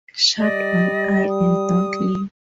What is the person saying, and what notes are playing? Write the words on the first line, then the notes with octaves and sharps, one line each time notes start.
Shut one eye, and don't leave.
G3 D5 D#5
D#6